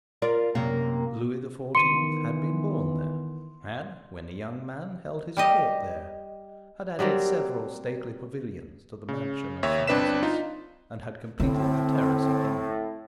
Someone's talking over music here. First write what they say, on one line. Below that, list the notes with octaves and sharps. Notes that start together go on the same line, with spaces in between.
Lewis the Fourteenth had been born there, had, when a young man, held his court there, had added several stately pavilions to the mansion of Francis, and had completed the terrace of Henry.
F4 A#4 D5
F#2 C3 A#3
D#3 E3 B3 C6 C#7 D#7
G3 G4 D#5
F#3 G3 A#3 C4
C#3
D#2 C#5 E5
G1 C4 D4 B4 B6 E7
D#4 F4
A2 D3 C4